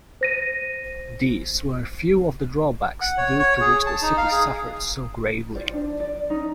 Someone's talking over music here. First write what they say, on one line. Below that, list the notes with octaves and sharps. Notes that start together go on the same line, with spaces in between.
These were few of the drawbacks due to which the city suffered so gravely.
C5 A#6 D#7
F#5
C#5
C#5
G#4
A5
D#4
F5
G#4
F4 G4 C5 D5
D4
D5
C#4 D#4